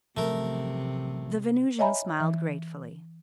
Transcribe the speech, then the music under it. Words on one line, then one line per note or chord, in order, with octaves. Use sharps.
The Venusian smiled gratefully.
A1 C3 F3 F#3 A3 A#4
C#5 D#5 E5 G#5 A#5 B5
E3